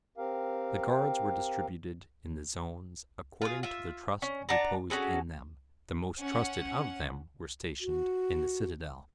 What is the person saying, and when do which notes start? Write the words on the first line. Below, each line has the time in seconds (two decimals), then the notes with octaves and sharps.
The guards were distributed in the zones according to the trust reposed in them; the most trusted of them were stationed in the citadel.
0.17 C4 G4 A#4 F5
3.42 F4 G#4
3.63 F4 E5
4.22 C#4
4.49 D4 F#5 A5 A#5
4.90 C#4 F#4 G#4 A4
6.18 C#4 F#5
7.80 F#4